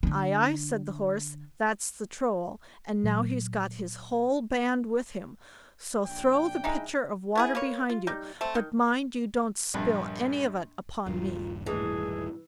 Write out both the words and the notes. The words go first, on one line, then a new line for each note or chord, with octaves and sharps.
'Aye, aye', said the Horse, 'that's the Troll, and now he's got his whole band with him, so throw the pitcher of water behind you, but mind you don't spill any of it upon me.'
D3 D4
A#2 F#3
A#1 D4 G5
G#3 D#4 E4
B3 E4 G#4
A#3 B4 C#5
F4
G3 D#4
A3 C4
D#3
A#1 G2
D#1 G2 D#3 F4
A2 E3 G#3 G#4